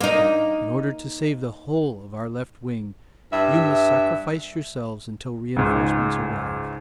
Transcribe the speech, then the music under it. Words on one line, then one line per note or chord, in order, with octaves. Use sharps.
In order to save the whole of our left wing you must sacrifice yourselves until reinforcements arrive.
A#3 D#4
G2 E5
C#2 G#2